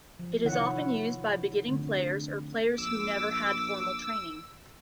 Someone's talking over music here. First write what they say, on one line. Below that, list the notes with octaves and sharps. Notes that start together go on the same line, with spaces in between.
It is often used by beginning players, or players who never had formal training.
F3
C3 D#3 E4 F4 C#5 F#5
D3 A3 C4
A#1 D6 E6